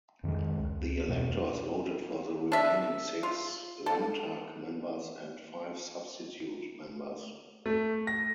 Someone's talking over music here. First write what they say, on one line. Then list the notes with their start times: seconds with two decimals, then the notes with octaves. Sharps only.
The electors voted for the remaining six Landtag members and five substitute members.
0.23 F2 D#3 G3 G#3
0.59 C#2
1.08 E2 B2 G#3 A#3
2.52 D4 E5
3.23 F4
3.86 A4
7.66 A3
8.07 A#6